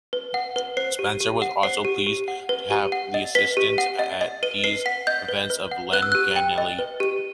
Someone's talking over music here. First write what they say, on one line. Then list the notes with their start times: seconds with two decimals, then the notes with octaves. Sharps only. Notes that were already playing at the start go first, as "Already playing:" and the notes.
Spencer was also pleased to have the assistance at these events of Len Ganley.
0.13 B4
0.34 F#5
0.56 B4
0.77 C5 C7
0.99 G4
1.20 G4
1.42 F#5
1.63 C5 C7
1.85 G4
2.06 G4
2.28 F#5
2.49 B4
2.70 G4
2.92 F#5
3.14 D#5
3.35 B4 B6
3.57 G4
3.78 F#5
3.99 D#5
4.21 D#5
4.43 B4 D#7
4.64 B4 C7
4.86 F#5 B6
5.07 D#5 G6
5.28 B4
5.50 B4
5.71 F#5
5.93 B4 F#6
6.02 E6
6.12 G4 F#6
6.36 G5
6.58 D#5
6.79 B4
7.00 G4